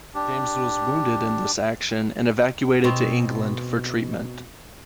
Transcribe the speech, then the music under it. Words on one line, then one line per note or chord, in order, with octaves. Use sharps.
James was wounded in this action and evacuated to England for treatment.
D4 G4
B2 C4